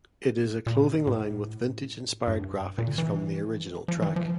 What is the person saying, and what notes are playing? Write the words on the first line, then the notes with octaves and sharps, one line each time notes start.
It is a clothing line with vintage-inspired graphics from the original track.
A#2
A2
G2
A#2
D3
E3
F3
E3
F3